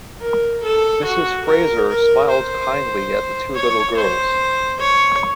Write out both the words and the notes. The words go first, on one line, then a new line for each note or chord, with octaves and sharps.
Mrs. Fraser smiled kindly at the two little girls.
A#4
A4
F#4
A#4
A#4
C5
C#5
C5
C#5